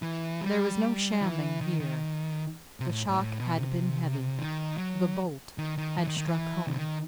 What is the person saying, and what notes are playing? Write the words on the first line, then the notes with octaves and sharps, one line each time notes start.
There was no shamming here--the shock had been heavy--the bolt had struck home.
E3
G3
E3
D#3
D#3
C3
A2
A2
A2
B2
C3
D#3
F#3
D#3
D#3
E3
D#3
D#3
E3
C3
D#3